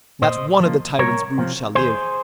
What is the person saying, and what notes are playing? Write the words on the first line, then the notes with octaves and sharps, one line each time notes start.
Not one of the tyrant's brood shall live.
A#2 C5 D#5
F3
A#3
C2 A#4 C#5
C3 F3
D#2 G#4 C5